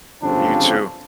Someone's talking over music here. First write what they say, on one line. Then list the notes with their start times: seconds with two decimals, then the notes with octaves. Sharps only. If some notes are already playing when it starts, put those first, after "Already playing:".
You too.
0.23 G1 F2 C#3 C4 D4